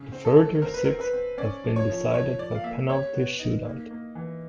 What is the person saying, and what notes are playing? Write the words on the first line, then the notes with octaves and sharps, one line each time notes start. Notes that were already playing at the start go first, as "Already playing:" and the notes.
The further six have been decided by penalty shoot-out.
Already playing: C#3
C4
A4
A3
C4 A#4
B4
C4 A#4
B4
C4
C#4 D5
F3
C#5
F3
F3 C#5
F3 D5
F5
A#3 E5
G4 C#5
B3
D#4
A#3
A#3
E3